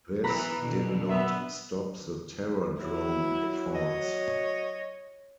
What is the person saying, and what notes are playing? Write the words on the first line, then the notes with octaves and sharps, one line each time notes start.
This did not stop the Terror Drome efforts.
E3 B3 B4 A#5 B5
B2 D3
B3 E5
F#3 E4
C#5 D#5